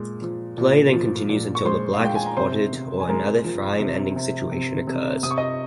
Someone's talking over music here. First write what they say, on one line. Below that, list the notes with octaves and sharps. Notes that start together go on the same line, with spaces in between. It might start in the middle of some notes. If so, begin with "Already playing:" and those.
Play then continues until the black is potted or another frame-ending situation occurs.
Already playing: A#2 G#3
F3
A#2
F3
A#2
C#6
G#3 C5 C6
F5
G#3 G5
G#5
A#5
C3 C5 C6
C3
G#5
G#3 A#4 A#5
F3
C3
C3
C3
C3
C3 D#6
C#6
D#5 D#6